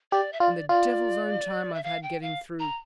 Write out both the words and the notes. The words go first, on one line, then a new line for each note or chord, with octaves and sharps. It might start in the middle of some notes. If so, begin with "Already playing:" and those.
And the devil's own time I've had getting through.
G4 D5
E5
F4 D5
F4 D5
E5
F5
G5
F5
A#5